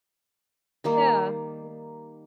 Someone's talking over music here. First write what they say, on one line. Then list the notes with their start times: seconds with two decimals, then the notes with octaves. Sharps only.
yeah, y
0.84 D#3 G3 A#3